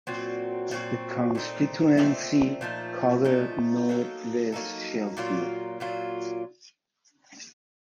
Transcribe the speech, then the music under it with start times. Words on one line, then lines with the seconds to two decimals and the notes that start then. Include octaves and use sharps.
The constituency covered north west Sheffield.
0.07 A#2 F#3 C4 F#4
0.71 A#2 F#3 C4 F#4
1.35 A#2 A3 C4 D#4
1.97 A#2 A3 C4 D#4
2.61 A#2 F3 A3 D#4
3.25 A#2 F3 A3 D#4
3.89 F#3 A#3 D#4 A4
4.52 F#3 A#3 D#4 A4
5.17 A#2 F#3 A#3 F4
5.80 A#2 F#3 A#3 F4